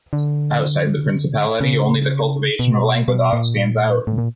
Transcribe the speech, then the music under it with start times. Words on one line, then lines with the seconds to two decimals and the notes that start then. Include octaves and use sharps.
Outside the Principality, only the cultivation in Languedoc stands out.
0.13 D3
1.60 C#3
2.59 B2
3.08 B2
3.33 A#2
4.07 A2
4.18 A#2